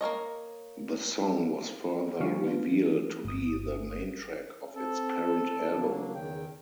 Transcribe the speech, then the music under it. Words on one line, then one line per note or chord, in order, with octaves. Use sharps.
The song was further revealed to be the "main track" of its parent album.
A#3 A#4 C#5 D#5
D3 F3 G3 C#4 F5 C#6
B3 D4 F4
E3
G1 D#6
C4 A4
C#3 F#3 A#3 D4
E2 D#3 G5